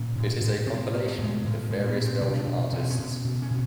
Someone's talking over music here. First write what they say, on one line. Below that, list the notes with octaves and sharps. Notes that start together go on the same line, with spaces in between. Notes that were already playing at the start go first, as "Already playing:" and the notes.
It is a compilation of various Belgian artists.
Already playing: A#2 C#4
A2
A2
B2 C4
B2 A#3
A3
A2 G#3
A2
A#2 G#3
B3
A#2
C4
B2 D4
B2
B2 C#4
C4
C#4
B2
B2
C#4
B2